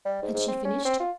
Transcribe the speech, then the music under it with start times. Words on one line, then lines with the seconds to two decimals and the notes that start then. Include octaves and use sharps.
Had she finished?
0.05 G3
0.22 G#2
0.34 G#2
0.48 C4
0.65 C#4
0.85 C4
1.00 F4